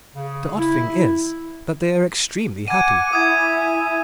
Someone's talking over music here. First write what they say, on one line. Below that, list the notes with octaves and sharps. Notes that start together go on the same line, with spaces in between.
The odd thing is that they are extremely happy.
C#3
E4
F#5 G#5 D6 G#6 D#7
E4 G#5 D#6 G#6